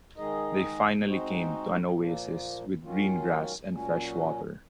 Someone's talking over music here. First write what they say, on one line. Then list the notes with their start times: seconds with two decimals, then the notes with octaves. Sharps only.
They finally came to an oasis with green grass and fresh water.
0.17 D#3 G#3 D#4 G#4 D#5
1.06 G#3 C4 D#4 F#4 C5
1.94 A#2 F3 A#3
2.82 D#3 F#3 C#4 F4
3.70 A#2 F#3 C#4